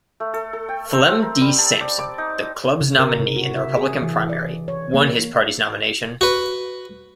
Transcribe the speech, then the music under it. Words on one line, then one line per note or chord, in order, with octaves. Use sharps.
Flem D. Sampson, the Club's nominee in the Republican primary, won his party's nomination.
A3
A4
A4
G5
C4
C4
A#4
G3
A5
D5
D6
D#4
C#3
A#4
C3
F#4
E5
G#4
E3
D5
C#5
A#3
F#4 B4